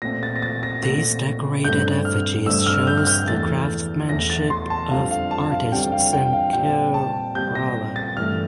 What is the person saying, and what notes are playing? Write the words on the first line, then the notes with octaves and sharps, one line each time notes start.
These decorated effigies shows the craftsmanship of artists in Kerala.
A#2 A3 C4 A#6
A6
A#6
A6
A#6
A#2 A3 C4 A#6
G2 D3 A3 C4 G6
F6
G2 D3 A3 C4 E6
F6
G6
F6
G6
E2 E3 A3 A6
E2 E3 A3 A#6
A6
C6
A5
F2 D3 G3 C4 F5
F5
A5
F5
F2 D3 G3 C4 G5
F5
G5
F5
A#2 G3 C4 G5
A5
A#2 G3 C4 G6
A#6
A6
G2 E3 A3 F6